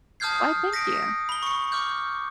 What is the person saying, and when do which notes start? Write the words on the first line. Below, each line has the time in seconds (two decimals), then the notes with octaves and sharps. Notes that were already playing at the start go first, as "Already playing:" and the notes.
Why, thank you.
0.20 A5 D#6 F6 G6 G#6 C7
0.73 D#6 A#6 B6 C#7 D7
1.29 B5 G7
1.43 C#6 C#7
1.72 D6 F6 G6